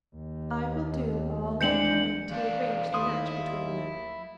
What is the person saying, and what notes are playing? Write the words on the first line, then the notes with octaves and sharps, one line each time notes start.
I will do all I can to arrange the match between them.
D#2
E3 G#3 D4 G6 C#7 F#7
E2 D4 F5
D#2 A3 E4 C6 D#6